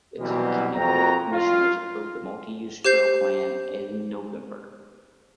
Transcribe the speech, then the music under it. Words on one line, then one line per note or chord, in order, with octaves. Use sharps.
The Cobb County Board of Commissioners approved the multi-use trail plan in November.
B2 E3 F#3 G3 C4
F2 F#4 G5 A#5
F4
G4 C5 G6 C7